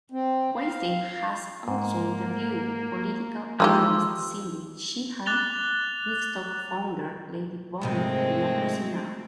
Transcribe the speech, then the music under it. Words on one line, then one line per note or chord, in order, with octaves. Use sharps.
Weinstein has also interviewed political activist Cindy Sheehan, Wigstock founder Lady Bunny, Democracy Now!
C4
F5
G#2 A#3
E3 F3 G3 G#3 D#4 G4 C6 E6
D6 F#6 A6 F7 G7
G#2 C3 D#3 G#3 A3 C4